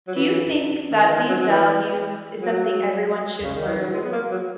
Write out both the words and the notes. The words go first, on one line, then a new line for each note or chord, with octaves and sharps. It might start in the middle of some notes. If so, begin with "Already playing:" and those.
do you think that these values is something everyone should learn?
F#3
E3
D#3
E3
D#3
F#3
F#3
E3
F#3
C#3
D#3
E3
F#3
G#3
B3
A#3
F#3